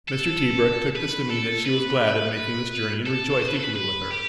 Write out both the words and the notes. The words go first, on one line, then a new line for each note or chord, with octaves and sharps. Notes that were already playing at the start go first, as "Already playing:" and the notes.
Mr. Tebrick took this to mean that she was glad at making this journey and rejoiced equally with her.
A4
B4
A4
B4
A4
C5
B4
A4
B4
B4
G4